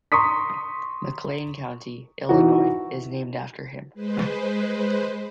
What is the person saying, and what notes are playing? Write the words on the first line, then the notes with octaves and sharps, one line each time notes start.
McLean County, Illinois is named after him.
A#5 C6 C#6 D#6 B6
E3 D#4 F#4
G#3 B4 C5